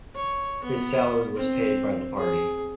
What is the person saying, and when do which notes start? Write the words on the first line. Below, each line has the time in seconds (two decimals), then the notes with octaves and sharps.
His salary was paid by the party.
0.15 C#5
0.64 B3
1.35 C4
2.16 G#4